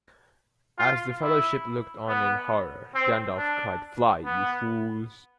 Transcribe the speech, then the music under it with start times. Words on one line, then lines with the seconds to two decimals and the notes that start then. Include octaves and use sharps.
As the Fellowship looked on in horror, Gandalf cried Fly, you fools!
0.78 F4
1.22 E4
2.08 B3
2.94 C4
3.38 D4
4.25 B3